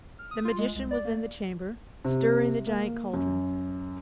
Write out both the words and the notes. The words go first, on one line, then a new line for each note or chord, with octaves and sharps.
The magician was in the chamber, stirring the giant cauldron.
F6
D#6
F4
G#3
C2
D5
A#3
C3
A#3
F#2